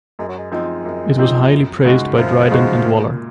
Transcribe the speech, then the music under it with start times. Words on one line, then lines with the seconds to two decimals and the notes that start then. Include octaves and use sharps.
It was highly praised by Dryden and Waller.
0.19 F#2 G#3
0.28 F#3
0.38 G#3
0.52 F3 G#3 C4 D#4
0.85 F#2
1.18 F3 C4 D#4
1.52 F#2
1.85 C#3 G#3 D#4 F#4
2.17 F#2 F3
2.51 C#3 G#3 D#4 F#4
2.84 A#2